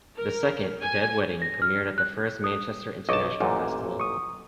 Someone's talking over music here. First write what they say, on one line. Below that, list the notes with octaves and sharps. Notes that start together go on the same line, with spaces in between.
The second, "Dead Wedding" premiered at the first Manchester International Festival.
A#4
G#5
A#6
F6
F#6
D#6
B1 D#5 A5 C#6 D6
A1 F#2 A#2
C#6 D#6